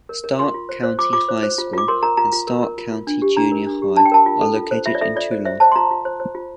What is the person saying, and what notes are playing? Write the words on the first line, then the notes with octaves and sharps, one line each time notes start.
Stark County High School and Stark County Junior High are located in Toulon.
A#4
A#4
F4 C6
F4
C5
C5
F4 D6
F4 D6
C5
C5
F4
F4 D6
A#4 C6
A#4 A#5
F4 A#5
F4
A#4
A#4
F4
F4
D4
G4
D4 A#5
A#4
D4
G4
D4 A5
G5
A#4 A5
F4
A4
F4
C5
F4 E5
D5
A4 E5
F4 D5
C5
C5 E5
C5 A5
C6
F4 A#5
F4
C5
C5
F4